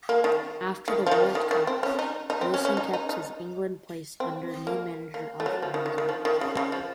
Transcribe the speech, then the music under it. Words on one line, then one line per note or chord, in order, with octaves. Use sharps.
After the World Cup, Wilson kept his England place under new manager Alf Ramsey.
A#3
D#3
D#3
F3
D#3
D#3
D#3
C4
C#4
D#4
D#4
C4
C#4
C#4
D#4
D#4
D#4
C4
A#3
A#3
A3
F#3
F3
D#3
D#3
D#3
F3
D#3
C#3
C#3
F3